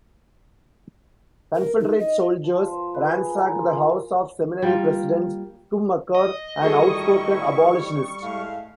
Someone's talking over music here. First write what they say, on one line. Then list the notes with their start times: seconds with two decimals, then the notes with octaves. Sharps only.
Confederate soldiers ransacked the house of seminary President Schmucker, an outspoken abolitionist.
1.55 A#4
1.80 D#4
1.99 D#5
2.44 F3
2.67 C5
2.94 B4
3.11 G#4
3.30 A#4
3.55 F4
3.74 F5
4.62 G3 A#3 F4
6.15 D#5
6.62 A2 D#3 G3 E4 F#4 G#4 A4 C#6
8.23 A2 G#3 F5